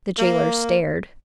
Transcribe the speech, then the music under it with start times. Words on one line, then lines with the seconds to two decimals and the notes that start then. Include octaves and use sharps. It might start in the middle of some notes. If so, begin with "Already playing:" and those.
The jailer stared.
0.18 A#3